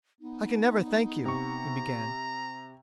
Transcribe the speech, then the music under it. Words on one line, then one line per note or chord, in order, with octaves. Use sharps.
"I can never thank you," he began.
B3 D#4
C3 A#5 C#6